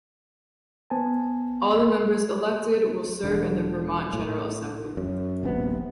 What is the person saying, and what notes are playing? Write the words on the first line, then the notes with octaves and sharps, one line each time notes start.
All the members elected will serve in the Vermont General Assembly.
B3 C5 G#5 A5
E1 D3
A2
F#2
D#1 A#1 C3 B3